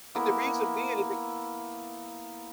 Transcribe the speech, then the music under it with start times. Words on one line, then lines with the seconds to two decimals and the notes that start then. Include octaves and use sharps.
and the reason being it b
0.15 A#3 B3 E4